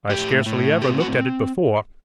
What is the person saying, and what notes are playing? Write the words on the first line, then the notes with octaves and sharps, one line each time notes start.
'I scarcely ever looked at it before.
A2 G4
A2
C4 G4
F#4